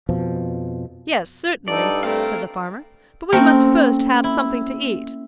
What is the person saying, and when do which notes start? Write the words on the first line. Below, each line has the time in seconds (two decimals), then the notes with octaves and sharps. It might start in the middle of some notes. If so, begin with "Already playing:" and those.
'Yes, certainly,' said the farmer; 'but we must first have something to eat!'
0.09 F2 B2 F3
1.68 G2 D#4 A4 D5
2.03 A3 C4 A#4 F5
3.32 A3 A#3 C4 C#4 A#4
4.24 E4